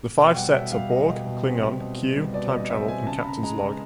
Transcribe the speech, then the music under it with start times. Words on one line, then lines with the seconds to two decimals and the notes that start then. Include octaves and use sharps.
The five sets are Borg, Klingon, Q, Time Travel, and Captain's Log.
0.18 B2 G5
0.36 G3 F#5
0.54 B2 E5
0.72 G3 F5
0.90 B2 D#5
1.08 B2
1.27 B2
1.44 C4
1.63 G3
1.80 B2
1.98 G3
2.16 G3
2.34 B2 D5
2.47 D5
2.52 G3 D#5
2.70 C4 E5
2.88 B2 G#5
3.06 C#3 A5
3.20 B5
3.25 C#3 A#5
3.43 G#3 A#5
3.61 C#3 A#5